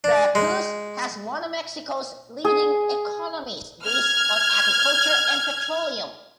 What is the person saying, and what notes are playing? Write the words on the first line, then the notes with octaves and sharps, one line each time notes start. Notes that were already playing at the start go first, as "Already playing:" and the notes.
Veracruz has one of Mexico's leading economies, based on agriculture and petroleum.
D4
G#3
G#4
F6 G#6